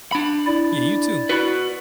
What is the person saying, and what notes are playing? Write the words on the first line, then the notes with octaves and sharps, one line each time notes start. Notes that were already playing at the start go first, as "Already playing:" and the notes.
Yeah, you too.
D4 B5
E4 D5
F#4 B4